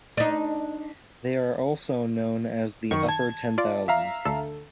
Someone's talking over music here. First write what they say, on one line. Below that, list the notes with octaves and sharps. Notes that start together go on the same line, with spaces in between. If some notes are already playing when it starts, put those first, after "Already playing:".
They were also known as the upper ten thousand.
D4 D#4
F#2 D#3 C#6
A5 G#6
F4 D5
E5 F5 A#5
D2 D3 A4